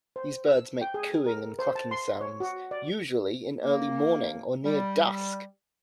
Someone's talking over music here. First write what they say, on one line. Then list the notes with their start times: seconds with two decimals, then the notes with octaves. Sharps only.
These birds make cooing and clucking sounds, usually in early morning or near dusk.
0.16 C5
0.48 E6
0.81 G5
0.94 G#4
1.26 A#4
1.59 C5
1.75 A5
1.91 C6
2.21 C#5
2.40 F#4
2.71 D5
3.63 A#3
4.64 G3